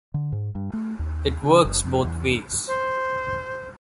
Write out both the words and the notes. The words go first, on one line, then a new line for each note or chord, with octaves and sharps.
It works both ways.
D3
G#2
G2
A3
D#2
C#3
F#1
F2
E2
C5